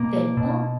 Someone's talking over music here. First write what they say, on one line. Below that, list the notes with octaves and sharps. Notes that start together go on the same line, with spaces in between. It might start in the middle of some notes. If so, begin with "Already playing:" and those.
There you go.
Already playing: B2 A#3
B2